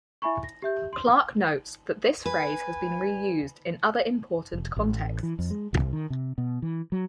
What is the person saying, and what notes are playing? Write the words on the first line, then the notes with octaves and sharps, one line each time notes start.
Clarke notes that this phrase has been reused in other important contexts.
E4 E5 G#5 B5 C#6
A#6
G4 E5 G6
C6
B4 G#5
F1
A1
E3
F2
G#3
C2
D#3
C3
B2
E3
F#3